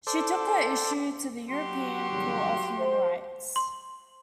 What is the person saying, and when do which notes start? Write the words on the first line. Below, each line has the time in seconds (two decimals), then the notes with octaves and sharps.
She took her issue to the European Court of Human Rights.
0.07 A4 C5 D5
1.49 F#3 F#4 G4 C6
2.09 G#1 C#3 G3
2.79 C5
3.56 C6